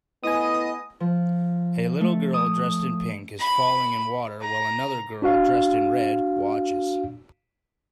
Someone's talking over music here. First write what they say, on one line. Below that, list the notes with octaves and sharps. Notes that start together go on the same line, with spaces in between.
A little girl dressed in pink is falling in water while another girl dressed in red watches.
A2 B3 D#5 G#5 D#6
F3
A3
D#6
B5
A#5
D4 F#4 F5